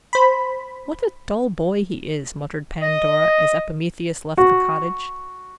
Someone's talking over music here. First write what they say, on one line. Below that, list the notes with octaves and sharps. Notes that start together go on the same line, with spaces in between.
"What a dull boy he is!" muttered Pandora, as Epimetheus left the cottage.
C5 B5
D#5
F#4